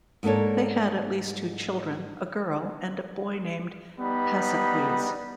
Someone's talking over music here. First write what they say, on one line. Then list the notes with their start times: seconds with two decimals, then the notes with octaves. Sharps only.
They had at least two children, a girl, and a boy named Pasicles.
0.23 G#2 A#3 D4 A4 C#5
3.99 G3 B3 D#4 B5